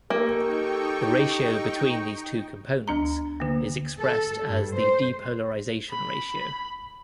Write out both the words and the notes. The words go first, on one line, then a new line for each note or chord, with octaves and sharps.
The ratio between these two components is expressed as the depolarization ratio.
A#3 D#4 G4 A4 G5 C#6
D2 D4 A#5
D3 A#3
A4
G2
C5
B5